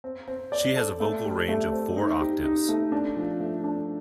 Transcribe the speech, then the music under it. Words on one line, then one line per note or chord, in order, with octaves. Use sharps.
She has a vocal range of four octaves.
C4
C4
D5
A4
A3
G4
A3
C4
D#4
G4
D#4
A3
D4
F3
A3
D4